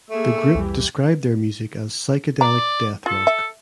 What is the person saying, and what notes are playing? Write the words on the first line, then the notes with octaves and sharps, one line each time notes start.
The group described their music as "Psychedelic Death Rock".
A3 A#3 G#4 E5
C2 F2 E3 G3 G4
D5 A#5
F4 A4
E5